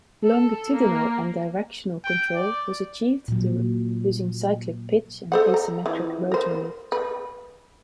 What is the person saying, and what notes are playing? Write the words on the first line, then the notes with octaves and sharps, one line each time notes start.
Longitudinal and directional control was achieved using cyclic pitch and asymmetric rotor lift.
A4
A#3
G5
D5
A#2 F#3
A4 C5 F#5
A#5
E3 F3
A#4 C5
B4